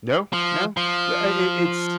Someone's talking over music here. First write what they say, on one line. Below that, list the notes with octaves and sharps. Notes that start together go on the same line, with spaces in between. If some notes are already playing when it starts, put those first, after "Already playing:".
No, no. But, I I it it's
F3
F3